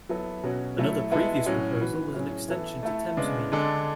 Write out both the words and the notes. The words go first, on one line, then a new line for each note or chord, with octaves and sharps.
Another previous proposal was an extension to Thamesmead.
F#3 B3 E4 A4
B2 F#3 C#4 F#4
F#3 A3 E4 A4
G#3 B3 E4 A4
A2 F#3 C#4 F#4
E3 B3 F#4 B4
A2 F#3 C#4 G#4
E3 B3 E4 A4
A3 E4 A4
C#3 G#3 B3 D4
D3 G#3 D4 A4